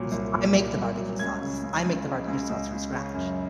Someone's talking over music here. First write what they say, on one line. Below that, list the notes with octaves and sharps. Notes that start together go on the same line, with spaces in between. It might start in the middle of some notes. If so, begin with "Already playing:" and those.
y I make the barbecue sauce. I make the barbecue sauce from scratch.
Already playing: C2 A#2 F#3
C2
A#2
C2
C2
F#3
C#2 G#6
C#3
C#2
C#2
G#3
C#2
C#2
C#2
C#3
F#2